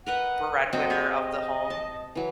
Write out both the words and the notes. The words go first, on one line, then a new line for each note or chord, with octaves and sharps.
breadwinner of the home,
A#4 B4 D#5 F#5
F#3 C4 F#4 D#5
G4 G#4
A5
E3 F#3